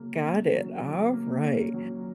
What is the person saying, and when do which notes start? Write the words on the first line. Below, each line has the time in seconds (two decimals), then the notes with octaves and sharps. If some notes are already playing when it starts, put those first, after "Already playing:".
got it, all right.
Already playing: C#3 F#3 A#3
0.24 C#4
0.53 F#3
0.84 C#3
1.13 A#3
1.44 C#4
1.74 F#3